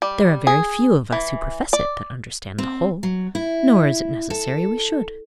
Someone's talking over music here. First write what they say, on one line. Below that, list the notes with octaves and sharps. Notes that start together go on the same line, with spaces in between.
There are very few of us who profess it that understand the whole, nor is it necessary we should.
G3
G#4
E3
D5
C4
F#3
E4
A4